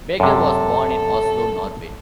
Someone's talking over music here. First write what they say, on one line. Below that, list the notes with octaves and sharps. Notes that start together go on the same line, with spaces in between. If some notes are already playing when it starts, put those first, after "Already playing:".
Backer was born in Oslo, Norway.
F#2 C3 A4